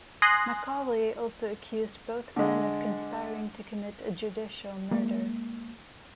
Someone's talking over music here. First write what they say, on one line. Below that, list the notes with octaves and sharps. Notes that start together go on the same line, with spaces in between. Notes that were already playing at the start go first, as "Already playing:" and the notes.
Macaulay also accused both men of conspiring to commit a judicial murder.
G#5 C6 D#6 F#6 A#6
D3 G#3
G#3 A#3